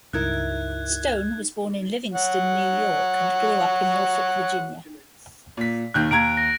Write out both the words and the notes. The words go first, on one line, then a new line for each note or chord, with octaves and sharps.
Stone was born in Livingstone, New York and grew up in Norfolk, Virginia.
C#2 G2 D#4 E4 A#4 F#6 G#6
C#5 F#5
A#2 B6
D#2 D#3 F#6 G6
D#2 A#5 G#6 D7
A#6